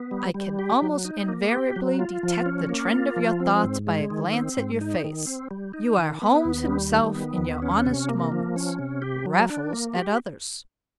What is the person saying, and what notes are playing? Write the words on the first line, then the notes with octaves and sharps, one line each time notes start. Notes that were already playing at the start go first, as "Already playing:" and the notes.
I can almost invariably detect the trend of your thoughts by a glance at your face--you are Holmes himself in your honest moments, Raffles at others.
Already playing: B3
G3
G3
G4
F#3
D#4
A#3
G4
F#3
F4
F3
C#4
A#3
F4
F3
C4
G#2
G#3
D#3
C4
G#2
D#4
D#3
C4
G3
D#4
D#3
B3
D#2
G3
D#3
B3
D#2
C#4
C3
A#3
F3
C#4
C3
G4
F#3
D4
A#3
G4